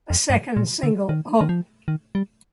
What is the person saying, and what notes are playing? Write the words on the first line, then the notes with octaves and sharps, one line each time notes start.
A second single Oh!
F2
G2
A#2
D3
D#3
D#3
F3
D#3
G3